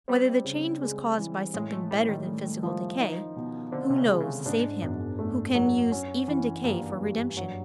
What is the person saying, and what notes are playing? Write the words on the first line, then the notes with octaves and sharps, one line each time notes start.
Whether the change was caused by something better than physical decay, who knows save him who can use even decay for redemption?
G3 C4
C#3
G#3
E3
A2 G#3
A3
A2 G3
D#3
A3
F3
D#4
B2
D3 C4
C3
C#3
G#3
C#3
G#2 D4
F#2 B2
A3
F#3
C#4
E3
G2 A#3
G3
F#3